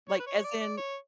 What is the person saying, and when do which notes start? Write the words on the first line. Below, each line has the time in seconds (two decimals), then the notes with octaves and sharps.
Like, as in
0.09 C#5
0.19 B4
0.27 C#5
0.44 D5
0.60 D5
0.77 C#5